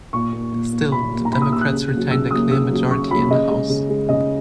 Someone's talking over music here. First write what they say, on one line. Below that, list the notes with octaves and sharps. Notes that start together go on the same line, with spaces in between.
Still, the Democrats retained a clear majority in the House.
A#2 C#6
A#3
A#2
A#3
A#2 B5
A#3
A#5
A#2 B5
D#6
A#3 E6
F#6
C#3
A#3
F#3
C#3 E6
F#3 A#3 D#6
C#3 E6
F#3 A#3
C#3 C#6
F#3 A#3 B5
C#3 D#5
G#3
C#3
G#3
C#3 D#5